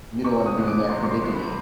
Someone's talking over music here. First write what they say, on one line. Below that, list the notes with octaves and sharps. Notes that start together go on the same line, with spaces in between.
You don't wanna be in that predicament.
C3 C#6
D#6
E3 G#3 B3
D6
C3 C6
C#6
C6
E3 G#3 B3
B5